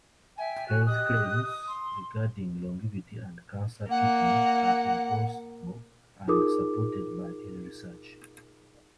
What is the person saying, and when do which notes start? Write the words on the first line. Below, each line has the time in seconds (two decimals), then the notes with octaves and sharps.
Health claims regarding longevity and cancer treatment are implausible and unsupported by any research.
0.37 E5 G5 G#5
0.68 F#4 F#6
0.86 G4 D#5 D#6 F#6
1.69 C6
3.91 A#3 F#5
6.28 D#4 F4 G#4 A#4 D6 D#6